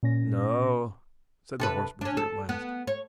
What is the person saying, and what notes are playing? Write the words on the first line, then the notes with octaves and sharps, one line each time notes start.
"No," said the horse-breaker, at last.
A#2 C#4 A#6
C3 A4 B4
C#4 D4
A4
B3
C#5